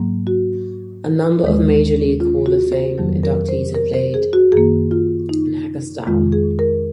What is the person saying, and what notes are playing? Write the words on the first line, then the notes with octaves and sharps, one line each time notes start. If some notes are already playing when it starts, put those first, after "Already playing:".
A number of major league Hall of Fame inductees have played in Hagerstown.
Already playing: G#2 F#3 A#3
F#4
D#2 D#3 G#3
F4
F#4
C5
F2 D#3 F#3 A#3
A#4
C5
A#4
C5
G#4
F#4
F#2 D#3 A#3 G#4
F4
D#4
F2 D#3 G#3 F4
G#4
A#4